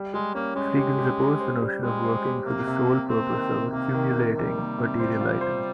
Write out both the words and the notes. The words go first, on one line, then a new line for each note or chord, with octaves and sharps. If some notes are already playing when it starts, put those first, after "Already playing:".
Freegans oppose the notion of working for the sole purpose of accumulating material items.
Already playing: G3
G3 G#3
A#3 C#4
G#3 C#4
G4
G4
G4
C5
G3
G3 G#3
C5
G4
C3 A#3
C3
C3
A#3 C4
D#3
C3
C3 A#3
D#3
D#3
C3 G3
A#3
C3
C5
F4
C5